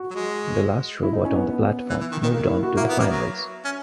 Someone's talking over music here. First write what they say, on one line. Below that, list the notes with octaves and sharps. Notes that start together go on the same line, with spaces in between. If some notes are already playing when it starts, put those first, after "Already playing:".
The last robot on the platform moved on to the finals.
Already playing: F#4
F#3
G#3
E4
D#4
C#4
B3
E3
E3
D#3
D#3
A#3
E4
F#4
A#3 E5
B3
A#3
F#3
C#4